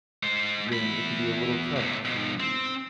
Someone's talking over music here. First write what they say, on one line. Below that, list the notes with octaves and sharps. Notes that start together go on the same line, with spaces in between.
then it can be a little tough to
G#3 C5
E2 B5
C#2 A2
B2 F3
C4